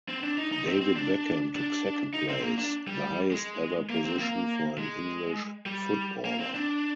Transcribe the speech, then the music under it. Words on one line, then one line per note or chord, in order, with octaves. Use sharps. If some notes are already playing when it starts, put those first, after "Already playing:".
David Beckham took second place, the highest ever position for an English footballer.
C4
D4
D#4
D#4
C4
C4
D4
D4
D#4
C4
A#3
D4
G3
G#3
A#3
C4
A#3
G#3
G3
A#3
C4
D4